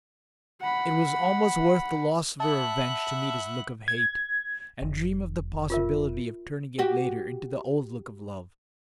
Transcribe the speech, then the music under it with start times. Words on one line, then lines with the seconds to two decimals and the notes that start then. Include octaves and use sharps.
It was almost worth the loss of her revenge to meet his look of hate, and dream of the possibility of turning it later into the old look of love.
0.61 F#5 B5
2.40 E5 F#5 A5 B5
3.88 G#6
4.82 F1
5.70 F4 A#4 E5
6.79 F#4 G4